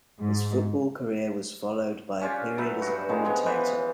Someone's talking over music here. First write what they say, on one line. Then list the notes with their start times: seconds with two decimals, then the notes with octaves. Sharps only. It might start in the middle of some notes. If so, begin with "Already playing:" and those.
His football career was followed by a period as a commentator.
0.19 G#2
2.21 C#4 D4 F4 G4
2.58 F#3 A3 B4
2.82 G2 F#4
3.09 D#3 F3 G#3
3.25 F3 G#3 B3
3.46 E3 B3 B4 C5